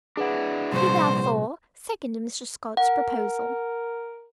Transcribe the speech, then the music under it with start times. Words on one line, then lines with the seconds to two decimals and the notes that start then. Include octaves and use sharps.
He therefore seconded Mr. Scott's proposal.'
0.17 D4 E4 G#4 B4 F#5
0.72 C2 G2 A#2 F3 F#4 C5
2.77 A#4 F#5